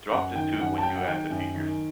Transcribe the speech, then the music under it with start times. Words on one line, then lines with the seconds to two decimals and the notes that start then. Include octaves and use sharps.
Drop the two when you add the figures.
0.12 F#2 F#5
0.35 D#3 G5
0.60 F#2 F#5
0.78 A5
0.83 F#3 G5
0.96 F#5
1.08 D#3 G5
1.31 F#2
1.55 D#3